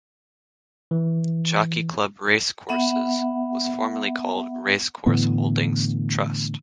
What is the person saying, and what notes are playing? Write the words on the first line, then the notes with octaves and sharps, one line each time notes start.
Jockey Club Racecourses was formerly called Racecourse Holdings Trust.
E3
B3 E5 F#5
A2 D3 E3 B3